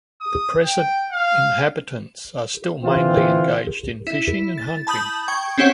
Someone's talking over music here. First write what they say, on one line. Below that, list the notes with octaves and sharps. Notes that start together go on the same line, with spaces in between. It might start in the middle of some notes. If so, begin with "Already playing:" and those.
The present inhabitants are still mainly engaged in fishing and hunting.
D#6
G5
F5
D3 E3 C4 F4
E4
A6
A5 B5 D#6 G6 F#7
G5 C#6 G#6
C4 C#4 E4 G4 C#5 F#5